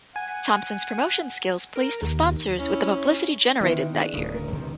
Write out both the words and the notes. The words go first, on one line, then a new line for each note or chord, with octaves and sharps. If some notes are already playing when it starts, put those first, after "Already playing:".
Thompson's promotion skills pleased the sponsors with the publicity generated that year.
F#5 G#5
A#4
D#2
C#4 E4
D3 D#3 B3 E4
D4 G#4
D1 C#3
A#4
C#2 C3 D#3